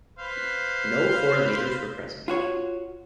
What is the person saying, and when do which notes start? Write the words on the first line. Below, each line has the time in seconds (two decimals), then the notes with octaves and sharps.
No foreign leaders were present.
0.19 B4 C5 F5
2.28 F4 F#4 C#5